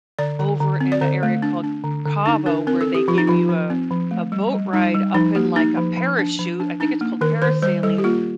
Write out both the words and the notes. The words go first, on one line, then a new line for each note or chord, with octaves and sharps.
over in a area called Cabo where they give you a a boat ride up in, like, a parachute, I think it's called parasailing.
D3 D5
D3
D3
C4
D5
D3 C5
A3
D4
D4
D3
D3
D4 D#4
D4 A#4
C4 A#4
A4
C4
G4
F3 F4
D#4
F3 F4
F3
C4
F3
A3
G3
G3
G3 D#4
G3
F3 D#4
A#3 G4
A#3 D#4
F3
F3
D4
F3
D4
D4 D#4
A#3
D#3 A#4
D#3 C5
G3 C5
G3 A4
G4
A#3 F4